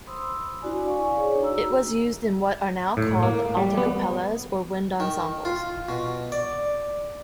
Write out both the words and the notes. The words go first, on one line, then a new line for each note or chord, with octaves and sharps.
It was used in what are now called alta capellas or wind ensembles.
C5 B5 C6 D#6 E6
D4 E4 F#4 D5 G#5
D5 F5 G#5 C#6
D4 G#4 C#5
D#4 F#4 A#5 E6
A2
A#3
G3
B3
D#3
F4
B2
D5